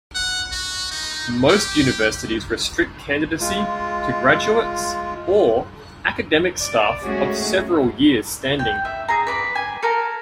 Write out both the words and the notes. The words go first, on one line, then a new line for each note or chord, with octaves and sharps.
Most universities restrict candidacy to graduates or academic staff of several years' standing.
F#5
F#4
D#4
G4
G#3 F4
D5
G#3 A3 C#4 F#4 G#4
G5
E5
G#4 A#5
B4 D5 B5
G#5
A4 A#4 A#5